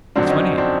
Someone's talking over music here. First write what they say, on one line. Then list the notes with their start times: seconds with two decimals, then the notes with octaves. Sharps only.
That's my name.
0.16 F2 D3 F#3 C4 D4
0.29 C#4 D#4
0.57 C4 D4